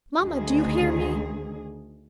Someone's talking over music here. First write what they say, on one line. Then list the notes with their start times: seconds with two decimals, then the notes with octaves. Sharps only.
Mamma! do you hear me?
0.20 D2 D#3 G#4